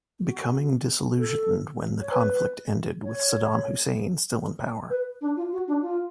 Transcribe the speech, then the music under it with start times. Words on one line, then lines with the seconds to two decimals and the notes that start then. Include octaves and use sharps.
Becoming disillusioned when the conflict ended with Saddam Hussein still in power.
0.25 F#4
1.18 A4
2.00 C#5
2.11 B4
3.04 C#5
4.90 B4
5.21 D4
5.36 F4
5.52 F#4
5.67 D4
5.82 F4